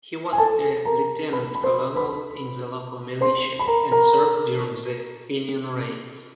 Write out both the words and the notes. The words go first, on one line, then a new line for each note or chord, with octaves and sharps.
He was a lieutenant-colonel in the local militia and served during the Fenian raids.
G#5
A4 A5
A#4 A#5
B4 B5
B5
C5 C6
B4 B5
C5 C6
B5
A#4 A#5
A#4 A#5